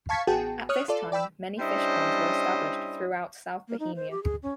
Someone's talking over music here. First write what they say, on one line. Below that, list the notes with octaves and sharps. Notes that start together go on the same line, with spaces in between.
At this time many fish ponds were established throughout South Bohemia.
F5 A5 C#6 G#6 B6 C#7
A1 B3 F#4 G#4 G5 A5
C#5 C#6 D#6 F6 F#6
F4 A4 D5
D5 G5 B5 E6
G3 C#4 D4 E4 C5 D#5
A#3
D#4
C5
G4
G#4
C#4